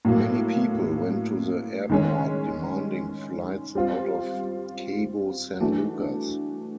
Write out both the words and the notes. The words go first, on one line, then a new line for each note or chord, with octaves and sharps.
Many people went to the airport, demanding flights out of Cabo San Lucas.
A2 F#3 A#3
D#3 G#3 C#4
G3 C4 F4
E3 A3 D4 F#4